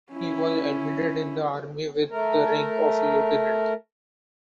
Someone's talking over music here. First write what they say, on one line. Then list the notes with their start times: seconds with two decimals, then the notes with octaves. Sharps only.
He was admitted in the Army with the rank of lieutenant.
0.12 C#4 E4
2.11 A3 A#4